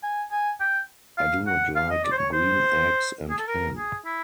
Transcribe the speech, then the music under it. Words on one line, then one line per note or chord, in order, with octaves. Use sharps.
I do not like green eggs and ham.
G#5
G#5
G5
F5
F#5
F5
D#5
D5
C5
C#5
C5
G#4
A4
A#4
G#4
E4